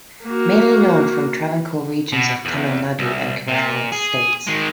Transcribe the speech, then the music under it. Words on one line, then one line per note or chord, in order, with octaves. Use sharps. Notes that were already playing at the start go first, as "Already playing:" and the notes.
Mainly known from Travancore regions of Tamil Nadu and Kerala states.
A#3 F#4
B2
E2
C2
A#2
G#4
D#3 G#3